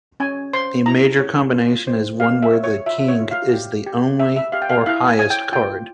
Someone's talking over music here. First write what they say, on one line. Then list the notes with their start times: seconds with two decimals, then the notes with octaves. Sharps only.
A "major" combination is one where the King is the only or highest card.
0.20 C#4 G#5
0.53 C5 C6
0.86 E4 A#5
1.20 C#5
1.53 F4
1.87 C5
2.20 G4 F5
2.43 E5
2.53 C#5
2.64 C#5
2.86 F4 E5
2.98 E5
3.08 C#5
3.19 F4
3.31 F5
3.53 G4
3.86 G4
4.20 G4 E5
4.36 E5
4.52 G4 F5
4.62 G5
4.70 F5
4.86 E4 F5
5.08 G#5
5.19 C#5 G#5
5.30 G5
5.52 F4 G5